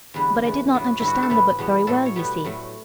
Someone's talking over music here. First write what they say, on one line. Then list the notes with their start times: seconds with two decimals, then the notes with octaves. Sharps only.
But I did not understand the book very well, you see.
0.14 E2 D3 G3 B3 B4
0.44 E2 C#3 E3
0.73 A2 F#3 B3
0.99 G2 D3 G3 E4
1.08 F#4
1.15 G4
1.23 A4
1.30 A2 E3 B3 B4
1.59 E2 B2 G3 B3
1.87 A2 F#3 A3 A4
2.06 C#5
2.15 B2 G3 B3 B4
2.45 A2 F#3 A3